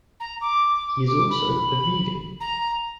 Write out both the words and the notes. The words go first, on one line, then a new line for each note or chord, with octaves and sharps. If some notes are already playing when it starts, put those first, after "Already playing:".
He is also a vegan.
A#5
D6
D6
B5
A#5